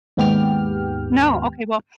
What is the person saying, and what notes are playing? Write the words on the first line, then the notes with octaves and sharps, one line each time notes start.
No, okay, well,
D#2 G#2 B3 G4 G5 F6